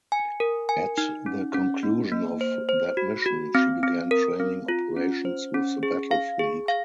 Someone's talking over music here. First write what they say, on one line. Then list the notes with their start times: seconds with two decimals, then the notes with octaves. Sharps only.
At the conclusion of that mission, she began training operations with the Battle Fleet.
0.12 G#5
0.40 A#4
0.69 G#5
0.98 D#4
1.26 C#4
1.54 C#4
1.83 A#3
2.12 A#3
2.41 C5
2.69 C5
2.97 F#4
3.26 F#4
3.55 C4
3.83 C4
4.11 A#4
4.40 C4
4.68 F4
4.96 C#4
5.25 C5
5.54 C#4
5.83 G#4
6.11 F5
6.39 G#4
6.68 F5